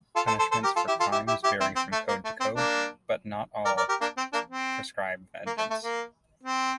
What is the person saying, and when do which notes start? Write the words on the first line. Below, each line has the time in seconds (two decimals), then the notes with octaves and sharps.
Punishments for crimes vary from code to code, but not all prescribe vengeance.
0.16 F4 A4
0.27 A4 C5
0.39 A4 C5
0.52 A4 C5
0.63 G4 A#4
0.76 F4 A4
0.87 E4 G4
1.00 F4 A4
1.12 E4 G4
1.27 E4 G4
1.44 E4 G4
1.60 C4 E4
1.76 C4
1.92 A3
2.08 A#3
2.25 A3
2.40 C4
2.56 A#3 D4
3.65 A#4 D5
3.77 A#4 D5
3.89 G4 A#4
4.01 A#3 D4
4.17 C4
4.33 A#3 D4
4.50 C4
5.46 A#3
5.58 A3
5.70 A3
5.83 A#3
6.43 C4